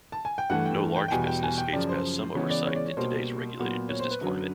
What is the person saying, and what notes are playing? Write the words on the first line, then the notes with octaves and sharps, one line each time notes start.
No large business skates past some oversight in today's regulated business climate.
A5
G#5
G5
G2 E3 A3 F#5
G5
G5
G5
E2 B2 G3 B3 G#5
G5
G#5
G5
F#2 C#3 F3 D5
C5
C#3 E3 G#3 B3 C#5
D5
C#5
D5
C#5
B2 G3 A#3 C5
A#2 F#3 B3
C#5
C5
B4
F#2 D3 F#3